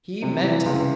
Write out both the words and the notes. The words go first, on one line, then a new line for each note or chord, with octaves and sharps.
He meant it.
C3
E3
C#2